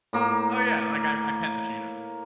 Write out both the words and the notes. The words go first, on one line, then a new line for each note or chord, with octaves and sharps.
Oh yeah, like I I pet the cheetah.
A2 A#3 A#5